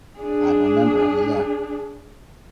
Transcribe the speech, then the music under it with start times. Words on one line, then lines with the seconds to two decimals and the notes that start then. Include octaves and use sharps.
I remember, yeah.
0.19 D4 G#4